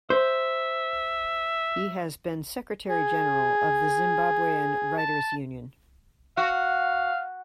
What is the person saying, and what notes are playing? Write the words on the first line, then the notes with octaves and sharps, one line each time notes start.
He has been secretary general of the Zimbabwean Writers' Union.
C5 E5
G#4
A5
F#4 F5